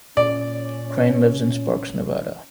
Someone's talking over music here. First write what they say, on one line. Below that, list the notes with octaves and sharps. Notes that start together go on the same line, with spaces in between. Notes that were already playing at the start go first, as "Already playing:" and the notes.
Crane lives in Sparks, Nevada.
A#2 C#4 D5